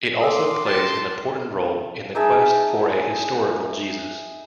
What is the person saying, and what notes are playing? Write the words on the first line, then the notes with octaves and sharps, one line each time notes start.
It also plays an important role in the quest for a historical Jesus.
A4 C6 D6 E6
G4 A5 C6
D#4 G#4 E5 A5